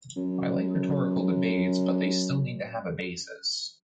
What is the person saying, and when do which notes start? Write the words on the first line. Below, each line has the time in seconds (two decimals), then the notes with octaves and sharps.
I like rhetorical debates but they still need to have a basis.
0.16 F#2